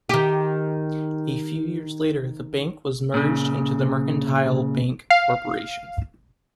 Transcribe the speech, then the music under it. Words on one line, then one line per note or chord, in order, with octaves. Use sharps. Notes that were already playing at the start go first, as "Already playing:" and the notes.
A few years later the bank was merged into the Mercantile Bank corporation.
D#3 G4
A#2 C#3
F5